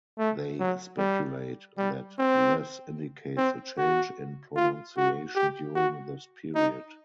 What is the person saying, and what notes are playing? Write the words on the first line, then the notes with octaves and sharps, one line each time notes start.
They speculate that this indicates a change in pronunciation during this period.
A3
F#3
G3
G3
C4
C4
F#4
F4
F#4
G4
F#4
D#4